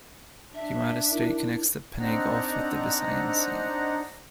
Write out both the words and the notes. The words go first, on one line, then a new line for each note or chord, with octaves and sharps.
Guimaras Strait connects Panay Gulf with the Visayan Sea.
D4 E5
D#4 E4 A#4
C4 D4 D#4 F#5 A#5